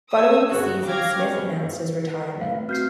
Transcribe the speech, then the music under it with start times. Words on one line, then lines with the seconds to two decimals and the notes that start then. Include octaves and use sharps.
Following the season Smith announced his retirement.
0.11 D#6 E6 G#6
0.50 G1 C#3 F#4
0.84 F5 G5 D6 F6 G#6 A#6
1.18 B3 C#4
2.08 B4 F#5
2.41 A2 F5
2.69 C4 F#4 F6 G6 C7